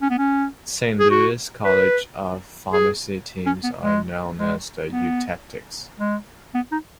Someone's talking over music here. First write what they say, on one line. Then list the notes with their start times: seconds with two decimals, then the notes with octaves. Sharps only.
Saint Louis College of Pharmacy teams are known as the Eutectics.
0.02 C#4
0.10 B3
0.18 C#4
0.99 G#4
1.11 F#4
1.65 B4
2.73 G#4
3.46 C#4
3.64 B3
3.83 G#3
4.37 G#3
4.91 B3
6.00 G#3
6.55 B3
6.72 D#4